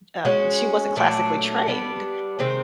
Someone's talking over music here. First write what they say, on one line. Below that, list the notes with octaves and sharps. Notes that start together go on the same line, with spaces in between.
um she wasn't classically trained,
G#3 C#4 F#4
A#2 F#3 A3 D4
G3 B3 D4
C3 D#3 G#3 C4